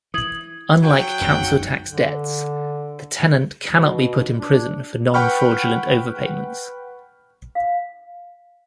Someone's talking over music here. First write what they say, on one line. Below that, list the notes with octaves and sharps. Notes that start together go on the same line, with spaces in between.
Unlike council tax debts, the tenant cannot be put in prison for non-fraudulent overpayments.
E3 D#6 G#6 F#7
F#3 F#5 G5
E1 B1 F#2
D3
B2
D4
B4 F#5 G5 B5 C#6 F6
F5